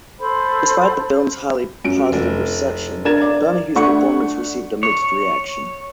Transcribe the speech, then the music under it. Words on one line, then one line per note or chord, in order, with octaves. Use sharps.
Despite the film's highly positive reception, Donahue's performance received a mixed reaction.
A4 C5 B5
F#2 D7
F1
D4 A#4 G#6 A6 E7
D5
A3 D4 F#5 C#6 C#7
C#5